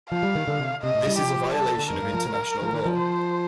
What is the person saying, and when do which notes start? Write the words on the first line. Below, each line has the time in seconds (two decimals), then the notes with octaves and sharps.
This is a violation of international law.
0.11 F3 F5
0.23 G3
0.35 D#3
0.48 D3
0.59 C3
0.83 C3 D#5
0.95 A2
1.07 G3
1.19 F3 G4
1.54 G3 A4
1.66 F3
1.78 D3
1.90 F2 A#4
2.02 G2
2.14 F3
2.62 F3
2.73 D#3
2.86 F3
2.97 C5